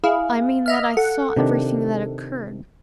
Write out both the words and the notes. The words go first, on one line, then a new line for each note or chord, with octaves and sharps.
"I mean that I saw everything that occurred."
E4 G#4 F5
D#5 E5 F6
A4 F#5
C3 D#3 D4